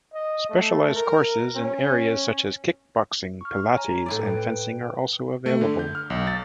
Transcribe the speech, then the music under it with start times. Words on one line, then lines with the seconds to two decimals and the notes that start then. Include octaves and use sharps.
Specialized courses in areas such as kickboxing, pilates, and fencing are also available.
0.14 D#5
0.49 A3
0.95 A#4
1.56 C#4
3.41 C#6 F6
3.76 C#5 G#5 A#5
4.06 A2 E4 D5
4.29 B4 G5
5.46 A3
5.61 D3
5.79 G6
5.95 F6
6.10 B1
6.27 A6